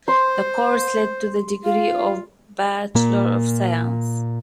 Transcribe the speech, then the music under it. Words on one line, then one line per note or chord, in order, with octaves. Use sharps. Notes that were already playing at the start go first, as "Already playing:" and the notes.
The course led to the degree of Bachelor of Science.
C5 C6
F4 F5
A#2 A#3